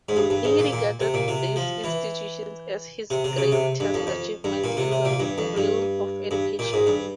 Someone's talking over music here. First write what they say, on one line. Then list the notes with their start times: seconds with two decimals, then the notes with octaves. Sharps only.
He regarded these institutions as his greatest achievement in the realm of education.
0.09 G#2
0.16 G2
0.30 G2
0.44 G#2
0.59 A#2
0.73 A#2
1.00 C3
1.14 A#2
1.28 C3
1.56 F3
1.84 E3
3.10 C3
3.24 C3
3.38 C#3
3.52 C3
3.80 G2
3.94 F2
4.07 F2
4.44 G2
4.64 A#2
4.77 C3
4.92 C3
5.05 A#2
5.20 G2
5.38 F2
5.57 G2
6.31 G2
6.59 A#2
6.73 G#2
6.87 G2